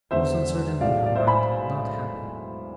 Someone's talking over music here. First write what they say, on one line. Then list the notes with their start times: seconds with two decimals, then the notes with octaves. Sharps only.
She was uncertain in her mind, and not happy.
0.11 E1 E2 D3 C5 E5
0.80 B1 A2 G#3 D5 F5
1.06 D5
1.15 C5 E5
1.27 G#5 B5